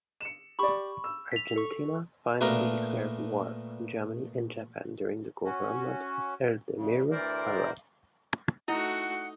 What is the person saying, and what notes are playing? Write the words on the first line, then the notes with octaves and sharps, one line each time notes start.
Argentina finally declared war on Germany and Japan during the government of Edelmiro Farrell.
C#7 E7
G4 D5 B5 C#6
E6
B6 F7
A4 C#6
A#2 A3 B3 D4 A#4 A#5
C#4 F#4
E2 C#3
D2 E3 A#4 C5 D5
A3 D#4 E4 F#4 F#5